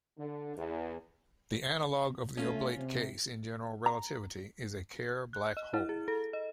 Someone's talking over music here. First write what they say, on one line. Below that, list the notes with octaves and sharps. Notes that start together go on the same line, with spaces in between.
The analogue of the oblate case in general relativity is a Kerr black hole.
D3
E2
A3 C#4 F4
C3
A#5
F#6
D#5
E4
G#4
A4
D#5